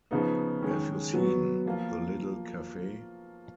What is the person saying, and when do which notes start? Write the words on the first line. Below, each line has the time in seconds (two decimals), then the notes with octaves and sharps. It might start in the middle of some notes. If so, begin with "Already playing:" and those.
Have you seen "The Little Cafe"?..
0.11 C#3 F3 B3 D#4
0.62 D#3 G#3 C#4
1.13 F#3 B3 F#4
1.66 F3 A#3 F4